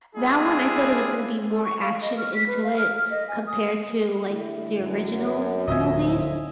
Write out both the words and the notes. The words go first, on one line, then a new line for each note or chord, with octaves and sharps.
That one, I thought it was gonna be more action into it compared to, like, the original movies,
G3 D4 E4 F4 G#4
A4
C#6
F5
D#5
F6
B6
B4
F5
F6
D#5
G#5
D#6
D3 A3 E4
F#2
D1 A2 D3 F3 D#5 E5 G#5